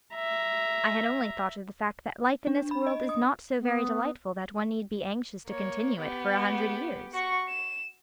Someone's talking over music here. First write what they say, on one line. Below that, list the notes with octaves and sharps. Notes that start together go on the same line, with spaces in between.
I had only thought of the fact that life in this world is not so very delightful that one need be anxious to continue it for a hundred years.
E5 A#5
D4
B5
D#5
D#6
B3
A#3 C#5
B3 G4
F#4 C#6
E7